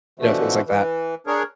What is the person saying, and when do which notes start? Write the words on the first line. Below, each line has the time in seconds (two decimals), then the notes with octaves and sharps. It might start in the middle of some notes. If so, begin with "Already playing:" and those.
You know, things like that.
0.20 B2 D3 E3 F3 A3
0.66 E3
1.27 D4 G#4 A#4 C#5